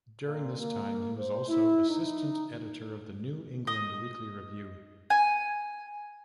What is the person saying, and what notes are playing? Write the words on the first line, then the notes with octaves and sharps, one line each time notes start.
During this time he was also assistant editor of the "New England Weekly Review".
A#2
A#3
C5
E4
D#4
D#5
G#5